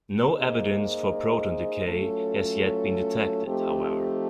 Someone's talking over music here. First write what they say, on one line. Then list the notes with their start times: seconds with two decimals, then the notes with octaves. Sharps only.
No evidence for proton decay has yet been detected, however.
0.23 A#3 D#4 G#4 C5 D#5
1.85 F#3 A3 C#4 F4 A4
3.47 F3 A3 C4 D#4 G4